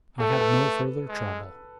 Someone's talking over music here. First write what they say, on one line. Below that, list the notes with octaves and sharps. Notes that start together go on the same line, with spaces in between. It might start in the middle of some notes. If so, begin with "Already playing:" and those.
I had no further trouble.
A3 A4
B4
A4
G#3